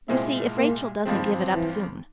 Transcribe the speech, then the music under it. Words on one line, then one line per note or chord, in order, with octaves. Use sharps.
You see if Rachel doesn't give it up soon.
C2 A#2 G#3 C4 E4
A#3
G#1 G2 F3 G#3 C4
E3